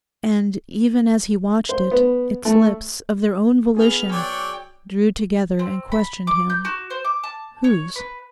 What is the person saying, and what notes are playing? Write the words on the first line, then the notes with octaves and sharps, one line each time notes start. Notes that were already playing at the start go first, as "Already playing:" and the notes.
And even as he watched it, its lips, of their own volition, drew together and questioned him--'Whose?'
C5
B3
A3
B3 G#4 F6
F#3 C#5 D5 G5
C4
B5
D6
G6
F#4
C5
D6
A5
C#5
B4